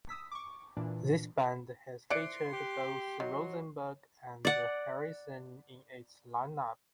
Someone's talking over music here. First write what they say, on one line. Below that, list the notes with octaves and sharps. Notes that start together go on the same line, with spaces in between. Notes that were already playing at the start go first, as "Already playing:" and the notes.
This band has featured both Rosenberg and Harrison in its line-up.
D#6 E6 B6
C#6 D6
A#2 E3 D4
E3 C5 D5 C6 F#6 C#7 D7
G4
D#3 F#3
D5 F#5